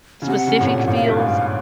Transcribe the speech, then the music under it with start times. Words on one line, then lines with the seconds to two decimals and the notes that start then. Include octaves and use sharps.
specific fields?
0.22 C#3
0.27 C3 F#5
0.47 C#3
0.60 A2
0.67 A#2
0.87 A2 F#5
0.95 F5
1.05 E5
1.09 G2
1.13 G#2 F5